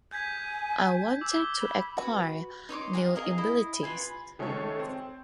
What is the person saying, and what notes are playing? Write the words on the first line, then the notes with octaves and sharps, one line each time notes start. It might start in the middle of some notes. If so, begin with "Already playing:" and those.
I wanted to acquire new abilities.
G#5 G6 G#6 B6
D6 E6
G7
B5
F#4 B4
D#4 C#5 C6 D6
F5 F#5 G#5 A#5
G#4 A#4 D#5 F5
E4 D#5
F4 B4 G#5
D#3 G#3 A3 C#4 A4 C#5
C4